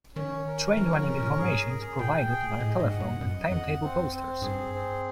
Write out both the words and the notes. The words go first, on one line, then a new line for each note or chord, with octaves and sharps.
Train running information is provided via telephone and timetable posters.
D#3 C#4
A#4
E3 C#4
F3
C#3 A#4
A#2
G#2 G#4
G#4
A#2 G5
G#4
A2 D#5
G#2
F#5
G2
F#2 D#5
F2 F#5
C4
C4
G2 G#4
C4